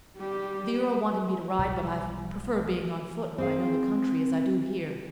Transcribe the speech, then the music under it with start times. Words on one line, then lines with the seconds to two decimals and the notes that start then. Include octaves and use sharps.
"The earl wanted me to ride, but I prefer being on foot when I know the country, as I do here."
0.17 G3 G4
1.59 B1 B2 G3
3.38 C4 G#4 F5